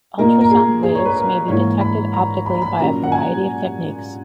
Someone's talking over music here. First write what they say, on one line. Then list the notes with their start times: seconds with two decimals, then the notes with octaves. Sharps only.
Ultrasound waves may be detected optically by a variety of techniques.
0.18 A#2 A#3 D#4 A#4
0.41 A#4
0.51 G#4
0.83 G#4
0.95 C#5
1.06 B4
1.17 A#4
1.48 G#2 E3 A#3 E4 C#5
1.81 B5
2.13 A#5
2.46 B5
2.55 A#5
2.62 B5
2.79 A#2 F#3 A#3 C#4 A#5
3.04 F#5
3.12 G#5